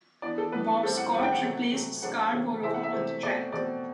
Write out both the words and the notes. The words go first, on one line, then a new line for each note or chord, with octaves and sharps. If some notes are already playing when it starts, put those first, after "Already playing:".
Bob Scott replaced Scarborough on the track.
E3 B3 D4 D5
A4
E3 B3 D4 B4
A2 G3 C4 A4
F#5
A2 G3 C4 F#5
G5
F#5
C3 F#3 A3 F#5
C3 F#3 A3
C3 F#3 A3 D4 F#5
C3 F#3 A3 D4
C3 E3 A3 C4 E5
F#5
E5
C3 E3 A3 C4
B2 A3 C4 D5
B2 A3 C4 D5